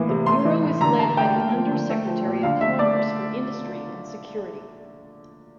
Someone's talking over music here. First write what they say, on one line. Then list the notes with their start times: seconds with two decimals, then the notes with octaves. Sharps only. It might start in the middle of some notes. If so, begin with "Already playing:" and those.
The Bureau is led by the Under Secretary of Commerce for Industry and Security.
Already playing: A2 E3 A#3
0.09 C3
0.26 A3 C6
0.45 E3
0.63 A2
0.81 D3 A#5
0.99 A3 A5
1.17 A3 G5
1.35 A#3
1.53 F3
1.71 D3
1.90 A3
2.07 F3
2.26 A#2
2.43 D3 F5
2.61 A3 E5
2.79 A3 D5